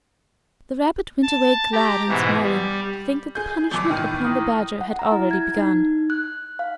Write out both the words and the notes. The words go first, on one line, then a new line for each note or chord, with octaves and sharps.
The rabbit went away glad and smiling to think that the punishment upon the badger had already begun.
A5
G4 A#5
G#2 B2 E3
G3
G#4 G6
C#2 F#2 D5 D6
A2 D#3 E3 G5
D#4
F#5
A#5
E4
G#6
D#4
F#6
F5